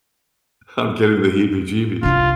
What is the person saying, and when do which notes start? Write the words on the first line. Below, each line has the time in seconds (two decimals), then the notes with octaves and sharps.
I'm getting the heebie-jeebies.
2.03 C2 D4 F4